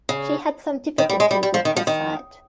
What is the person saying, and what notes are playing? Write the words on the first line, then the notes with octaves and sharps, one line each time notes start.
She had some difficulty with her sight.
C#3
D#3
G3
G#3
G3
G3
F3
D#3
F3
D#3